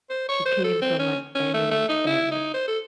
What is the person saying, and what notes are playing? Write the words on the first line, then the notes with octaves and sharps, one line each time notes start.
He came from an eminent family.
C5
C#5
C5
A4
C4
C#4
C#4
A3
A3
D#4
E4
D#4
C5
A4